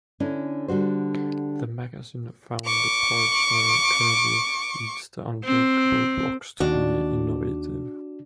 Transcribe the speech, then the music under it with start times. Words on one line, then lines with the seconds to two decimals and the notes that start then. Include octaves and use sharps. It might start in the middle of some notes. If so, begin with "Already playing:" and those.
The magazine found the parts where Kirby eats the unbreakable blocks to be innovative.
0.20 D3 C#4 D4 E4
0.68 D3 G3 F#4 C5
2.66 C#6 D6
5.45 C4
6.60 D#2 D#3 D4 F#4